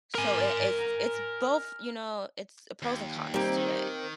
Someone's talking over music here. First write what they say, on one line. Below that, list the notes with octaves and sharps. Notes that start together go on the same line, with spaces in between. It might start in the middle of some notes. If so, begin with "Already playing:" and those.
so it it's it's both you know. It's pros and cons to it.
A#4 G#5
D#2
G3 A#3 C4 D#4 G4
D#3